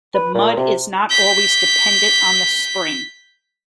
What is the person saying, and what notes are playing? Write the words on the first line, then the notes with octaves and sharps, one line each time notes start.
The mud is not always dependent on the spring.
B4
A#2
C3
G6 B6